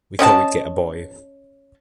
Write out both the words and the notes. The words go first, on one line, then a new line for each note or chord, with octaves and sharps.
We thought we’d get a boy.
C#4 D#5 F#5 A5